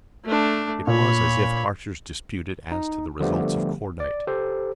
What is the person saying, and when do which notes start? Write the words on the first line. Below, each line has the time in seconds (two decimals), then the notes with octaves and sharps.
It was as if archers disputed as to the results of cordite.
0.25 A3 D4
0.87 A#2 C#5 B5
2.72 D#4
3.20 D3 F3 G3 A3 B3 G4
4.00 D5
4.27 G4 A4 C5